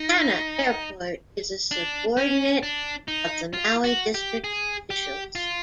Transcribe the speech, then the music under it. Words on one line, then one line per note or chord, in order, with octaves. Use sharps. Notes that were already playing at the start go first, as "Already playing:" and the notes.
Hana Airport is a subordinate of the Maui District officials.
Already playing: D#4
D4
C#4
D4
D#4
F4
F#4
G4
G#4
G4
F4